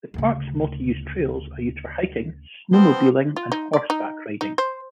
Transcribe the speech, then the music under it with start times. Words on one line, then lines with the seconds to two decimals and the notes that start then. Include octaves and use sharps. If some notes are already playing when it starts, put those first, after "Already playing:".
The park's multi-use trails are used for hiking, snowmobiling and horseback riding.
0.14 D2 C#3
2.73 F3 B3 C4 C5 C6
3.36 F4
3.52 D#4
3.73 D5
3.90 D#4
4.41 D#4
4.58 C5